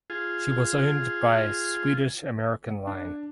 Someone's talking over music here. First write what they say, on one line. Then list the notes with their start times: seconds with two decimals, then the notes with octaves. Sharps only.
She was owned by Swedish American Line.
0.10 F4 G#4
2.87 D4